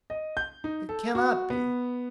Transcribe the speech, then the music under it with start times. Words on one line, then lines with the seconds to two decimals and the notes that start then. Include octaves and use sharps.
It cannot be.
0.10 D#5
0.37 G6
0.64 D#4
0.89 A4
1.15 F#4
1.50 B3